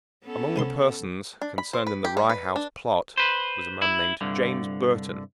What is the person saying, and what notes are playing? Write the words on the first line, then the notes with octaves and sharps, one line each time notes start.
Among the persons concerned in the Rye House plot was a man named James Burton.
B3 C#4 A4
C3 E4 C6
D4
B5
C5
B4
G4
G3
B4
D4
B4 C5
E4
C2 G2 D3